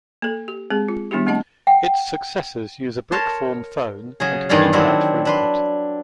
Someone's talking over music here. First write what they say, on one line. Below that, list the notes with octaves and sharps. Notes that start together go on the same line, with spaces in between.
Its successors use a brick form phone and a keypad for input.
A#3 A4
G4
G#3 C4 G#4
F4
D#3 G3 B3 D4 E4 G4
A3 C4 D4 D#5 F#5 A5
F#5 G5
A#4 C#5 A5 C6
C#3 F#3 G#4
E2 G2 D#3 G#4 D5 F5
D#3 F#3 C4 D4 E4 G4
D4 B4 C6